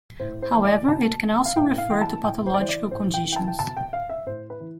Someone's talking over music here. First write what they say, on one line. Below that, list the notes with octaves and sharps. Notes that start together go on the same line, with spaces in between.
However, it can also refer to pathological conditions.
A2 C5
C5
E3
D5
B2 A5
F5
A2 G5
F5
E3 G5
A5
A2 G5
C5
D5
E3 C5
D5
A2 C5
G5
E3
G5
A5
G5
B2 A5
G5
F5
E5
A2 C5
B4
E3